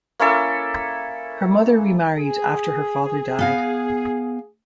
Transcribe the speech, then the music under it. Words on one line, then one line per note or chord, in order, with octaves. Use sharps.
Her mother remarried after her father died.
A#3 C#4 E4 A4
G#4
B3 F5 G#5